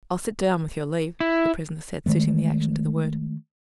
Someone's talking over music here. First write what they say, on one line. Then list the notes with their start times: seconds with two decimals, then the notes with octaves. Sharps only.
"I'll sit down, with your leave," the prisoner said, suiting the action to the word.
1.20 E4
2.06 D#3 G#3 A3